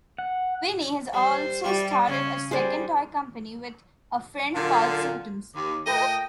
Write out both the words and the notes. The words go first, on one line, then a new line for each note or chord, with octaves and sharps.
Vinnie has also started a second toy company with a friend called Symptoms.
F#5
G3 C5
G3 E4 G4
C#3 C#4
G3 G#4 C5 D5
F#2 A#2 D3 F4
D#2 D6
A#2 A3 D#5 G5